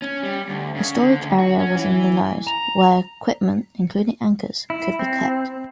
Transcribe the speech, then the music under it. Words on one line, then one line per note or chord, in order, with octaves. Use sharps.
A storage area was in the nose, where equipment, including anchors, could be kept.
C#4
G3
D2
C#3
D3
D2
F#4
C#4
E3
A#5
E4
C4